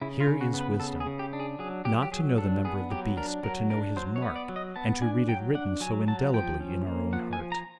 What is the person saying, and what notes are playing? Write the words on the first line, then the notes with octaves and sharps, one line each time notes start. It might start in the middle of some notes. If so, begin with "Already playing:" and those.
'Here is wisdom': not to know the number of the beast, but to know his mark, and to read it written so indelibly in our own heart.
C#3 E4
F4
C#3
F#4
B3
B4
C#3 A4
G#4
C#3
G4
D4
G#4
F#3 G#4
F#3 G4
G4
F#3 G#4
D4 A4
B3 G#4
F#3 G4
D4 A#4
F#3 A#4
D4 A#4
F#3 C5
C#5
B3
D5
F#3
D#5
B3 A5
D4 G#5
F#3 G5
D4 F#5
F#3 G#5
F#3 A5
F3 G5
C#4
A#3
F3 F#5
G#5
F3
A#5